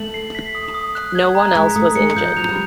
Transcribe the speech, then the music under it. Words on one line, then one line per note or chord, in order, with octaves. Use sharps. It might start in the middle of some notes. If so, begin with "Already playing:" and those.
No one else was injured.
Already playing: A3 F#7
C7
B6
D#6
D#6
F#6
G#6
A#5
G#3 B6
A3 D#6
G#3 C#7
F3 G6
F#3 F7
G3